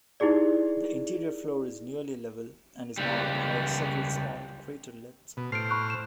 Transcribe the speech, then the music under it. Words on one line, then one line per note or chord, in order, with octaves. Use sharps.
The interior floor is nearly level and is marked by a several small craterlets.
D#4 E4 G4 G#4 D5
C#2 G3
B2
A2 C5 F6 C7 D7
B5 C#6 F#6
E7